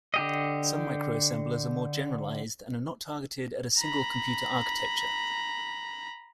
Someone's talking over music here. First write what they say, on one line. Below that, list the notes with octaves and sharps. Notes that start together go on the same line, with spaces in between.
Some microassemblers are more generalized and are not targeted at a single computer architecture.
D3 G4 D#5
A#5 B5